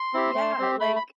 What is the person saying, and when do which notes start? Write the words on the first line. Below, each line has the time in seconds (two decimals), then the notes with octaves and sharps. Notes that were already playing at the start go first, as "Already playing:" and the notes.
Yeah, like,
Already playing: C6
0.13 C4 E4 G4
0.35 A3
0.59 C4 G4
0.80 A3 B5
0.96 B5